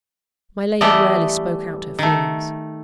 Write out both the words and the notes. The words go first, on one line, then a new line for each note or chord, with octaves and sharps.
My lady rarely spoke out her feelings.
E3 G3 A3 B3 B4 D#5
D#3 A3